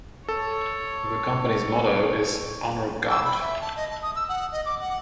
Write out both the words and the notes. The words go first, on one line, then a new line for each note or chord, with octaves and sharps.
The Company's motto is "Honour God".
A4 C#5
E6
B5
E5
A5
D#5
A5
D#6
E6
F#5
D#5
D6
F#5